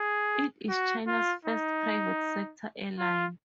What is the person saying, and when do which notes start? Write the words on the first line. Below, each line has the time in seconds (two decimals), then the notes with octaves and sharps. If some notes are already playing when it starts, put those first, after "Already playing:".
It is China's first private sector airline.
Already playing: G#4
0.69 F#4
1.07 F4
1.45 D#4
2.99 F4